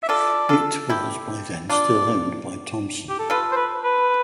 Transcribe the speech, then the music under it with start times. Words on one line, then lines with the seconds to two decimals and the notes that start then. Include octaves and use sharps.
It was by then still owned by Thomsen.
0.03 E5
0.09 F4 A4 D5
0.49 F4 A4
0.90 E4 G4
1.70 D4 F4 D5
3.09 G4
3.19 A4
3.30 F4 A4 B4
3.52 C5
3.56 B4
3.84 B4